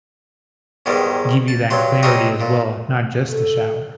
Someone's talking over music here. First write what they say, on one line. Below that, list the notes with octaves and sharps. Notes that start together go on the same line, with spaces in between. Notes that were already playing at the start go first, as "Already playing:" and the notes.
give you that clarity as well, not just the shower.
E2 G#2 D#3 G3
A5
G2 F#3 C6
F#3 G3 C4 D#4 F#4 G#4
A#2
A4